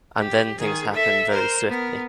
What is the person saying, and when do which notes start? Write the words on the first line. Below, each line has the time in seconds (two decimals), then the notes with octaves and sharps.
And then things happened very swiftly.
0.17 G4
0.59 D#3 G#4
0.93 A4 E5
1.30 A#4 C5
1.69 B3 A#4